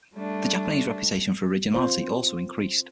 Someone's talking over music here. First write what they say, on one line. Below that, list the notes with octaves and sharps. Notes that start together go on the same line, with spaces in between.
The Japanese reputation for originality also increased.
G3 A3 D4
C4 F4 C5